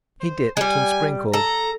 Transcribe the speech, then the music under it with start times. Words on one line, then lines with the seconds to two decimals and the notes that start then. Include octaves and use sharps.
He dipped and sprinkled.
0.20 C5
0.57 G3 G#3 G#5
1.33 A4 A#5